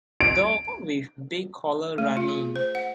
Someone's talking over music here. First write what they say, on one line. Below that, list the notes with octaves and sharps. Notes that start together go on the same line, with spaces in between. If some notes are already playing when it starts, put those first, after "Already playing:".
Dog with big collar running.
D7
A3
F4
G#4
C5
F#5